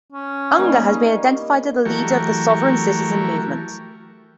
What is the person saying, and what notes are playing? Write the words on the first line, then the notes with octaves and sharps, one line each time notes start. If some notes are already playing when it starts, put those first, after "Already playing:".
Unger has been identified as a leader of the sovereign citizen movement.
C#4
G3 A#3 D#4
E3 F#3 A3 G4 A#4 C#6